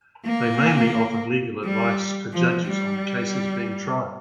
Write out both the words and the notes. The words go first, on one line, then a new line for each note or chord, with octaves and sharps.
They mainly offer legal advice to judges on the cases being tried.
A#3
G3
F3
G3